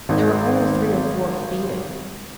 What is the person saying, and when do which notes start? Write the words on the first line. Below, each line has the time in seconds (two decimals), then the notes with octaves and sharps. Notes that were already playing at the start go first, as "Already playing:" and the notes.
There were only three or four could beat it.
0.09 G#1 D#3